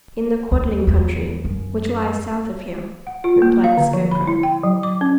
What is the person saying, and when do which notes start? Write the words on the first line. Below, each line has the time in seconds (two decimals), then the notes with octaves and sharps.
"In the Quadling Country, which lies south of here," replied the Scarecrow.
0.51 D#2
0.87 E2
1.44 F#2
3.07 F#5
3.24 F4
3.42 A#3
3.64 F5
3.77 D3
3.93 F3
4.11 B5
4.27 E4
4.43 G5
4.63 F#3
4.83 D6
5.01 C#4